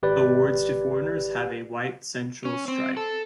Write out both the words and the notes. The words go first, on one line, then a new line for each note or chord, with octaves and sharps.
Awards to foreigners have a white central stripe.
G#1 G4 B4 D5
C#4
C4
A4